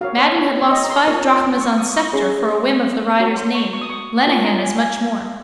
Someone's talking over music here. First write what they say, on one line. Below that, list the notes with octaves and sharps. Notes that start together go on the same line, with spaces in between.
Madden had lost five drachmas on Sceptre for a whim of the rider's name: Lenehan as much more.
F#4 A#4 C#5 F5
C#5
C#5
C#5
D#5
A#5
C6
F4 A#4 C#5
C#6
D#6
C#6
C#4 G#4 C#5 C6
F#4 C#5 A#5
C6
C#6
C#6
D#6
C#6
F4 A#4 C#5 C6
A#5
G#5
G#5